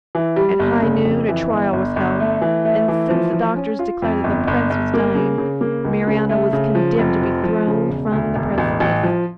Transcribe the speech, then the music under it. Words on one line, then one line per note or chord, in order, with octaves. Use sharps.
At high noon, a trial was held, and since the doctors declared that the Prince was dying, Marianna was condemned to be thrown from the precipice.
E3
G3
G1
C#3
F2
E3
G1
G1
G1
A3
E3
A3
E3
F3
F3
C#4
F4
F2
G1
G1
G1
A#3
C#3
C#3
A#3
C#2
C#3
A3
C#3
F3
F1
F3
F3
C#3
E1
D2
E1
A1
A1
F3